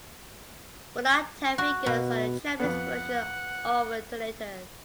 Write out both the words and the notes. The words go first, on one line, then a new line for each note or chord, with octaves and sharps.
Binaltech figures are the Japanese version of Alternators.
F#4
B2
F2 B3 F#5